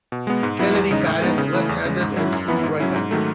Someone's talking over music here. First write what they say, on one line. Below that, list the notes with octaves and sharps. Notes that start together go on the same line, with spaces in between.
Kennedy batted left-handed and threw right-handed.
B2
G#3 B3
G#2
F#3 B3 E4
E2
C#3 G#3 D#4
A2
G#3 B3 D#4
C#3
E3 A3 E4
E2
C#3 G#3
G#2
F#3 C#4 E4
F#2
E3 B3 E4
G#2
F#3 C#4 E4
G#2
D#3 F#3 A3